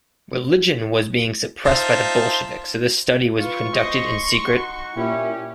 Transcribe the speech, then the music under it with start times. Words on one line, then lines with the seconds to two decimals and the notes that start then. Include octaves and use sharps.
Religion was being suppressed by the Bolsheviks, so this study was conducted in secret.
1.65 D#4 F4 C5 E5 A5
3.39 F4 B4 C#6
3.72 C4 C5 D#5 C6
4.45 D#4 F#4
4.96 A#2 C#4 E4 G4